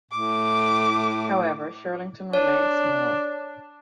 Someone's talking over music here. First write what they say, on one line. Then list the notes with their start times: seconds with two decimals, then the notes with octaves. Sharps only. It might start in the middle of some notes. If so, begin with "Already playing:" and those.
However, Shirlington remained small.
0.11 A2 D6
2.33 D4 C#5